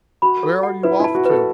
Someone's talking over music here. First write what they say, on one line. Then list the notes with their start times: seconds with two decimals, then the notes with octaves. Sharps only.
"Where are you off to?"
0.22 F#4 B5
0.43 A4
0.63 F#5
0.83 E4 B4
1.00 E4 A5
1.15 F#4
1.25 A4 B4